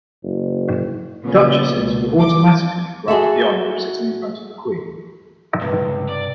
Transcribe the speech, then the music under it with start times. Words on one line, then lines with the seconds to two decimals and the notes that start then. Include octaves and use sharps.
Duchesses were automatically granted the honor of sitting in front of the queen.
0.23 F#1
1.25 A#2 C#3 B3 C#4
1.76 C#2 B2
2.17 G3 D6
3.08 F#4 G#4 A4 E5
5.61 C#2 G2 C3
6.09 D5